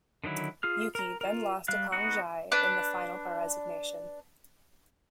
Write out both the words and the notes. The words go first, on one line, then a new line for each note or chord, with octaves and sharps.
Yuki then lost to Kong Jie in the final by resignation.
D3 D#3 F#3 E4
F4 G#4 F6
A#4 A#5
F4 A#4
G3 F5 F#6
B3 D#4 F#4 F#5
D4 B4 F#6